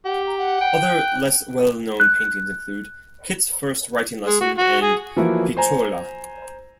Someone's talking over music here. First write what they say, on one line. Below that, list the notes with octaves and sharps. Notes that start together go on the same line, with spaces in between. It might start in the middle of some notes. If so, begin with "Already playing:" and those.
Other less well known paintings include "Kit's First Writing Lesson" and "Picciola".
G4 F#5
A#5
F#5
G5
F#6
F#6
F#6
G#3
F#4
F#4
G#4
E3 F3 A#3 E4 F#4
C5 G#5 A#5